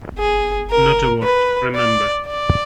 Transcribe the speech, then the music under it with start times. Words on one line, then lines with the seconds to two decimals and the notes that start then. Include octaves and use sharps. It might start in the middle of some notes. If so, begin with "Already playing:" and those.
Not a word, remember!
0.18 G#4
0.70 A#4
1.23 B4
1.75 D5
2.27 D5